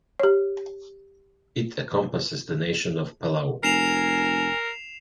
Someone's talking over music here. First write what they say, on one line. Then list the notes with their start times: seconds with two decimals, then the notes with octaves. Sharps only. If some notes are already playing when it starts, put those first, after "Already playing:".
It encompasses the nation of Palau.
0.20 G4 C#5
3.63 F1 A#4 G#5 C7 E7 F7